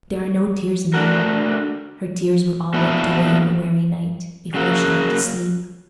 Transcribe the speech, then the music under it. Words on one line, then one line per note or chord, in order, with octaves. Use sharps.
But there are no tears in them: her tears were all wept away in the weary night, before she went to sleep.
A3 D4 F#4 A#4
A#2 F#3 B3 E4 A4
C#3 F#3 A#3